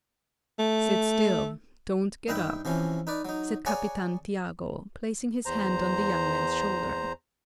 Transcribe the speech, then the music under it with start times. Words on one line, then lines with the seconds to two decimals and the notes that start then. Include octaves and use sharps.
"Sit still, don't get up!" said Capitan Tiago, placing his hand on the young man's shoulder.
0.59 A3
2.28 G2 D#4 B4 E5 G5
2.65 C3 E3 F3 C#4
3.07 D#4 B4 D5
3.25 F#3 D#4
3.66 G#4 C#5 D5 F#5 G#5 A#5
5.45 E2 C5 A#5